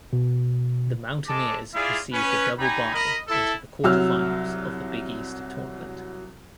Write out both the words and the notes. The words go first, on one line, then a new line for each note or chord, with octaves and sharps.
The Mountaineers received a double-bye into the quarterfinals of the Big East Tournament.
B2
G#3 A4 A5 D6
E4 F4 G#4 D5 F5
C#4 B4
G3 D#4 G#5 A#5 B5
A#4 D#5 B5
E4 A4
C2 F#3 E6 F6